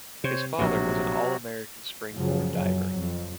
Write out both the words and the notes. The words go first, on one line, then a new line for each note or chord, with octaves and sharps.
His father was an All-American springboard diver.
C3 C5 C#5
A#1 A2 C3 F#3 F#4
F#2 A#2 C#3 F3 F#3
F#2 F#3
F2